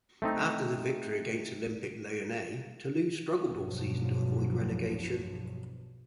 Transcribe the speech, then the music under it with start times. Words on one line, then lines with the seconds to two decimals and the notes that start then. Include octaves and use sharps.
After the victory against Olympique Lyonnais Toulouse struggled all season to avoid relegation.
0.22 A3 C4 D#4
3.47 B1 E2 G2 B2 F3 F#3